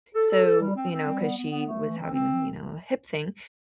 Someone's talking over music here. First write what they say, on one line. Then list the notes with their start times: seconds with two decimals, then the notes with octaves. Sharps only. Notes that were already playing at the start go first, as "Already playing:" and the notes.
So, you know, 'cause she was having, you know, a hip thing,
0.14 A4
0.30 A4
0.45 A4
0.60 G3
0.75 C4
0.89 C4
1.05 G3
1.20 B3
1.36 B3
1.50 B3
1.65 A3
1.82 E3
1.97 C4
2.12 C4